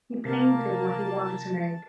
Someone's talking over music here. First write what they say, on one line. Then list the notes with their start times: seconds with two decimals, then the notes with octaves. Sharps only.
He painted what he wanted to make.
0.25 C3 A#3 A#4 A5